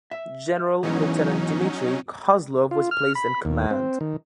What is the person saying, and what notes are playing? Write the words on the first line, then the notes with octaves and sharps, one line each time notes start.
General Lieutenant Dmitri Kozlov was placed in command.
E5
E2 G#2 E3 F#3 C#4 D#4
F4
F6
B5
D#2
C4
D#3